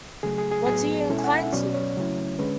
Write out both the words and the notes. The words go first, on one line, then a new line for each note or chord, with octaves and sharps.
What do you incline to?
C#3 F#3 A3 G#4
G#4
G#4
A2 F#3 B3 G#4
B2 G#3 C#4 E4 A4
G#5
F#5
E5
B2 F#3 C#4 D5
C#5
C#3 F#3 A3 C#4 E4
D3 G#3 C#4 B4